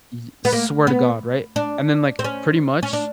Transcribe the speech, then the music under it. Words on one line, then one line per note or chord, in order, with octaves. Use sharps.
Y swear to God, right? And then like, pretty much,
B3
A#3
B3
D4
C4
C#4
C#4
D4